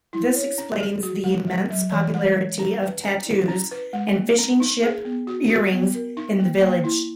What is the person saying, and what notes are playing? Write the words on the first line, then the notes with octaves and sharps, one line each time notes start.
This explains the immense popularity of tattoos and fishing ship earrings in the village.
E4
C#5
C#4
G#4
F#4
G#3
F#3
F#3
E3
G#3
C#5
C#4
B4
C#4
E4
C#4
B4
G#3
A#3
C#4
D#4
G#4
B3
F#4
F#4
B3
A#4
D#4
A#3
A#3
E4